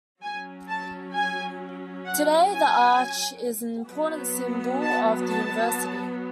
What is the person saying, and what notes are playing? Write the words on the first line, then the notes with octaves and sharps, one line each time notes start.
Today, The Arch is an important symbol of the University.
F#3 C#4 G#5
A5
G#5
F#5
G#5
F#3 B3
A5
A5